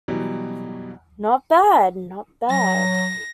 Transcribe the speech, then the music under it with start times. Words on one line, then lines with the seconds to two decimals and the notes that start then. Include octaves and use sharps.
Not bad, not bad.
0.08 B2 E3 F#3 G3
2.50 F#3 A#6